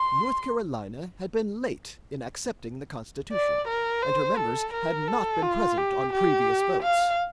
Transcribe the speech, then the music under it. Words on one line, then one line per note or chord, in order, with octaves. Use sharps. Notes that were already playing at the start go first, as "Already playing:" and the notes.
North Carolina had been late in accepting the Constitution, and her members had not been present on previous votes.
Already playing: C6
D5
A#4
C5
A4
A#4
A4
F4
G4
G4
F5